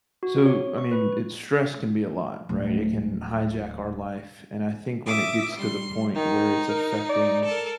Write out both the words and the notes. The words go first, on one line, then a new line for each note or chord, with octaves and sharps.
So, I mean, it's stress can be a lot, right? It can hijack our life, and I think when it gets to the point where it's affecting
F#4
C#5
C#6
B4
D1 A3
E5 D6 D#6
G3 C6
D#3 D#4
A#4
D5
A4 A#4